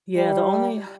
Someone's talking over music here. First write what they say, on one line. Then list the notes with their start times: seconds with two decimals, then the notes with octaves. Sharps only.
Yeah the only
0.17 G3